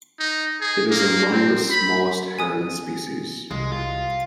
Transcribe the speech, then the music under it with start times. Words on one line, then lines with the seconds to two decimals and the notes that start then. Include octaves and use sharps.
It is among the smallest heron species.
0.20 D#4
0.61 G#4
0.91 A#3
1.31 C4
1.70 B5
2.39 G#5 D#6
3.51 C2 G#3
3.72 F4